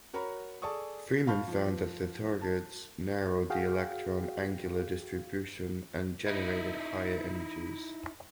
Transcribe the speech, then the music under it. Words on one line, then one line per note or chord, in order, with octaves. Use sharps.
Freeman found that the targets narrowed the electron angular distribution and generated higher energies.
F#4 A#4 C#5 A#5 B5
G#4 A4 D5 A5 C#6 D#6
F5 A5 B5 C#6 F6 G6
F3
A5
F#4 G#4 F5 G5
D#4 E4